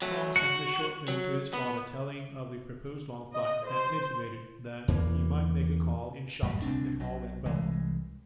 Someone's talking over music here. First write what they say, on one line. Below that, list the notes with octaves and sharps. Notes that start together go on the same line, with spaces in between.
Tom sent a short note to his father telling of the proposed long flight, and intimated that he might make a call in Shopton if all went well.
F#3 A3
F#4 C#7
F#3
B3
D#5
C5
E2 E3 A#3
F#2 A2 G3
C2 C4 D4
B1 F#3
C2 E3 G#3